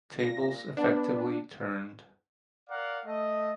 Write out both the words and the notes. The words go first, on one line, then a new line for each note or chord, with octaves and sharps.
Tables effectively turned.
A#2 A#6
B3 D4
A#4 D5 F5 F#5
A3 D#5